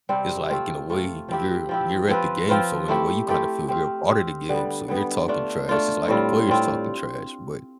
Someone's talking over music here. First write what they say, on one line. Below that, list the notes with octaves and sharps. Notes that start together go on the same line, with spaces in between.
it's, like, in a way you're you're at the game, so in a way you kind of feel you're a part of the game, so you're talking trash. It's, like, the players talking trash, but,
C3 G3 C4
A3 C4 F4
A3 C4 F4
F3 C4 E4 G4
F3 C4 E4 G4
F3 C4 F4 B4
F3 C4 F4 B4
A3 E4 G4 C5
A3 E4 G4 C5
C4 G4 C5 F5
C4 G4 C5 F5
D3 G3 B3
D3 G3 B3
A3 D4 F4
A3 D4 F4
A2 G3 C4 F4
A2 G3 C4 F4